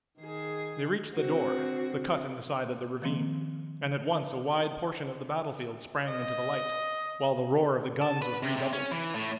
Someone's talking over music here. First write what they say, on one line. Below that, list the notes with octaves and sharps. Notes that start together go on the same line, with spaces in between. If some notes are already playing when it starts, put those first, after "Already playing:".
They reached the door, the cut in the side of the ravine, and at once a wide portion of the battlefield sprang into the light, while the roar of the guns was redoubled.
D#3 G#4
D3 C4 F#4
D#3 F3 A#3 C4
D#5
A5
B4
C3
C3
C#4
E3
A2